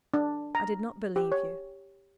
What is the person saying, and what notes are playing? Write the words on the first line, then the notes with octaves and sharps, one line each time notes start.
I did not believe you.
D4
A#5
G4
C#5